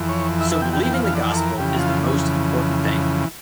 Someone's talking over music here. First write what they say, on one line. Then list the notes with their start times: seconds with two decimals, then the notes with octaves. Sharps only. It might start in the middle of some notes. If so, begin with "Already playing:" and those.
So believing the gospel is the most important thing.
Already playing: F2 E3
0.09 C#5
0.41 E5
0.52 E5
0.62 G5
0.73 G5
0.83 G5
0.94 F5
1.04 F5
1.15 D5
1.32 A4
1.37 A#4
1.58 F2 C#3 E3 G4
1.79 F4